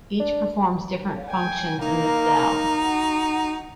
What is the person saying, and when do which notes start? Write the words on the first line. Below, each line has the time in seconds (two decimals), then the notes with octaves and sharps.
Each performs different functions in the cell.
0.20 D4
1.29 G5 G#5
1.82 A#3 D#4 A#5
2.83 F#4 F#5